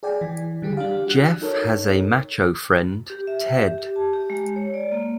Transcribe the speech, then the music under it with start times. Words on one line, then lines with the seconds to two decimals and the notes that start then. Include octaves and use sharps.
Jeff has a macho friend, Ted.
0.03 G#4 D5 G5 G#5
0.21 E3
0.62 D3 G3 G4 G#4
0.77 D4 G4 F5
1.07 F#4 F#6
1.41 D#4 A4 A#4 C#5
3.10 G4
3.27 E5
3.59 G4
3.78 G4
3.96 A5
4.13 G4
4.30 G#3
4.56 C#5
4.74 D5
4.92 A#3